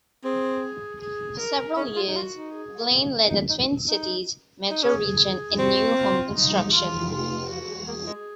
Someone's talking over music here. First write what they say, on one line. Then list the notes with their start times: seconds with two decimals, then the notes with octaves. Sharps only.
For several years Blaine led the Twin Cities metro region in new home construction.
0.24 C4 G#4
1.01 G#4
1.39 A#4
1.77 C#4 G#4
1.96 F4
2.07 D#4
2.15 F4 F#4
2.35 D#4
2.53 G#4
3.30 D#4
3.49 D#4
3.88 D#4
4.70 D#4
4.82 C#4 G#4
5.59 C4 F#4
5.98 F4
6.35 D#4
6.73 F4
7.12 F4
7.49 F#4
7.88 A#3 G#4
8.07 G#3